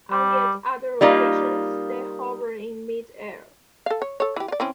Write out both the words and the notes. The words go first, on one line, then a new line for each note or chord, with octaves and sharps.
On yet other occasions, they hover in mid-air.
G3
G3 A#3 D#4 F4
A4 F5
C#5
A4 C#5
E3 G4
F4 D5
E3 C4 C#4